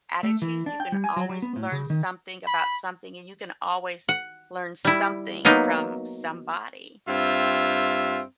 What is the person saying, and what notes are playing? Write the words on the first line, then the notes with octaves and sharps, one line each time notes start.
attitude. You can always learn something about something, and you can always learn something from somebody.
A3
E3
D4
G5
G3
G#5
F#3
F#3
B3
A2
C#3
D#3
B5
F#5
G3 E4
F#3 A#3 B3 D#4
G2 C4 F4 E5